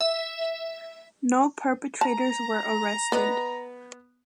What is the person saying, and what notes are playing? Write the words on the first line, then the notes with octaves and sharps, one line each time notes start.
No perpetrators were arrested.
E5
A5 A#5
B3 B4 D5 D#5